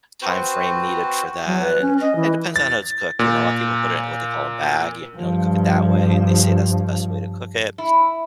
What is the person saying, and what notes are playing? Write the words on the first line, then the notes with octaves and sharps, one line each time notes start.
time frame needed for that, and it depends on how it's cooked, you know? Uh, people put it in what they call a bag, y you know, they cook it that way, and they say that's the best way to cook it.
C4 F#4 B4 C5
F#3
B4
C#4
D#5
E3
A6
A#2
G2 F3
E4